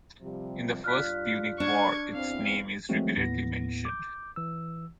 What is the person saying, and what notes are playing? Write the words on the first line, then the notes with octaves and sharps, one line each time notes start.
In the First Punic War its name is repeatedly mentioned.
C3 F3 G3
G2 F4 D5 F6 F#6 B6
D4 C#6 G#6
E2 C4 F5
E3 F#3 G#3 A3 C4 F#4
D#2 A2 B3 A#6
D6 G6
E3 E6